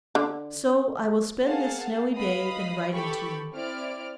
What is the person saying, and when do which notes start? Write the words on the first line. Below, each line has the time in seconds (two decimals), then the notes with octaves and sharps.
So I will spend this snowy day in writing to you.
0.15 D3
1.43 A#3 G#4 F5 F#5 A5
2.15 B4 D#5 F5 B5 D#6
2.92 G4 A4 B4 B5 C#6
3.52 C4 E4 D5 F6 D7